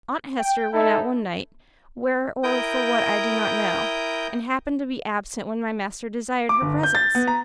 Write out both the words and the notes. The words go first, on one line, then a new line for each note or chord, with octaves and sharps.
Aunt Hester went out one night,--where or for what I do not know,--and happened to be absent when my master desired her presence.
G5
D#4 E4 A4
E4 A#4 G5 D#6 G6
D6
G1
G6
A6
B3
A#5